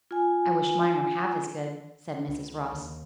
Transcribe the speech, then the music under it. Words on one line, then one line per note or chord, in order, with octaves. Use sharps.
"I wish mine were half as good," said Mrs. Ross.
F4 G#5
C#2
D#2